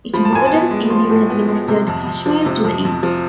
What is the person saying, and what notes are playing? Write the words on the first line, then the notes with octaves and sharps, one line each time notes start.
It borders Indian-administered Kashmir to the east.
F3 B5
A5
A2 G#5
A5
B3
G#3
F3 C6
A2
B3
G#3
C3
F2
F2
F3
C3
F2
F2
F3